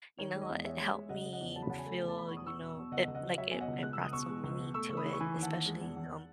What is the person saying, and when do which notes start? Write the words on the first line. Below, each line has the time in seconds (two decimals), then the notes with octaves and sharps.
you know, it helped me feel you know, it like, it it brought some meaning to it, especially, you know
0.18 D#3 C#5
0.34 G#3
0.42 D#5
0.50 E2
0.64 G#3 C#5 E5
0.80 G#3
0.95 G#3
1.09 C#3 D#5 F#5
1.26 C#3
1.33 D#5 F#5
1.41 E2
1.56 F#3 A5
1.62 B5
1.70 C#3 F#5 A5
1.78 G#5 B5
1.86 A3
2.02 E2
2.08 A5
2.17 B2 B5
2.28 E2 C#6
2.37 D#6
2.47 E2 C#6 E6
2.62 B2
2.77 B2
2.92 C#2 D#5 F#5
3.08 C#2
3.15 D#5 F#5
3.23 F#3
3.38 F#3 C#5 E5
3.51 B2 G#5
3.60 D#5 F#5
3.68 C#2
3.83 G#3 F#6
3.93 C#2 E6
4.04 D#6
4.13 B2 C#6 E6
4.29 G#3
4.44 C#2
4.59 B2
4.74 A3 C#6 E6
4.89 C#3 C#6
4.97 B5 D#6
5.05 E3
5.13 C#6
5.20 E3 G#5 B5
5.35 D#2
5.42 F#5 A5
5.51 E3
5.66 G#3
5.81 E2
5.96 E2